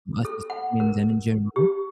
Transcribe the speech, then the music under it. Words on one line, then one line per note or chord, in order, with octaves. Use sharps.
um, us as humans and in general,
A4
F#5
A#4
G4